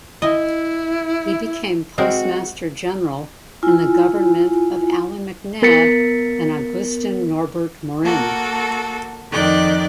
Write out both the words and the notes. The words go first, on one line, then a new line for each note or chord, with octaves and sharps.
He became Postmaster General in the government of Allan MacNab and Augustin-Norbert Morin.
E4 D#5 G#5
G#3 C4 F#4 A#4
E4 F4 G#5
B3 A#4 A6 B6 C#7
A#3 F#4 A4
F2 D#3 D5 G5 F#6